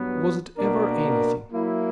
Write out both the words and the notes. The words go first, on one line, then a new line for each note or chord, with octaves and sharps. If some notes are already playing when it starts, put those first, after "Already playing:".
Was it ever anything?
Already playing: G2 F#3 B3
B2 A#3 D4 A#4
F#3 A#3 E4